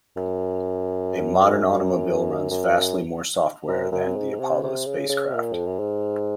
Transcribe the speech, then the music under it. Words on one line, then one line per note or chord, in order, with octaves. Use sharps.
A modern automobile runs vastly more "software" than the Apollo spacecraft.
F#2
F#2
F#2
F#2
G#2
C3
C3
C#3
C#3
C3
A#2
F2
F#2
G#2